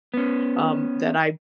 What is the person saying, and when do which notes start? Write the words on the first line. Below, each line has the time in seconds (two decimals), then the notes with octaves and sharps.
um, that I
0.14 B3 C#4